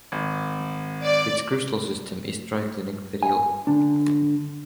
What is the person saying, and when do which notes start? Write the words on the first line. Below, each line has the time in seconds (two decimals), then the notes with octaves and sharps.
Its crystal system is triclinic pedial.
0.12 G#1
1.04 D5
3.23 G#5
3.67 D3 D4